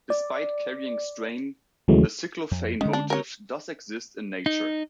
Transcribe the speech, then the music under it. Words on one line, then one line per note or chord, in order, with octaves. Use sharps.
Despite carrying strain, the cyclophane motif does exist in nature.
D5
D#2 C#3 E3 F#3 G#3 A3
F2
D3 D#3 G#3 C#4
D4
A#4 C#5
D#4